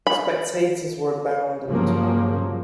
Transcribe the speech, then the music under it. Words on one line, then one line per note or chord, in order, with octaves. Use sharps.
Spectators were abound at the tournament.
B5
G2 C#3 F3 F#3 A#3